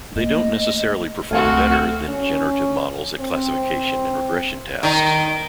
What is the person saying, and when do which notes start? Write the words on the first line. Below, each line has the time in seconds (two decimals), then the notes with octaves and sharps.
They don't necessarily perform better than generative models at classification and regression tasks.
0.15 A3 A#3 D#5
1.31 C#2 A3 C4 F#4 G#5 F6
2.07 C#4
3.20 C4
4.83 D#3